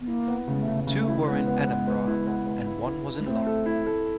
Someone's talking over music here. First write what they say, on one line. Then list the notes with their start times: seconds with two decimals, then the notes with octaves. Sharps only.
Two were in Edinburgh and one was in London.
0.01 B3
0.07 A#3 E4
0.28 B3
0.48 C#3 A3
0.55 G#3
0.63 A3
0.68 C#3
0.87 C#3 A3
0.96 G#3
1.03 A3 E4
1.22 A3
1.27 G#3 B3
1.47 B3
1.67 B3
1.87 B3
2.07 E4
2.27 B3
2.46 B3
2.66 E4
2.86 E4
3.06 E4
3.20 G#3
3.26 A3 C4
3.47 A4
3.66 E4
3.87 A4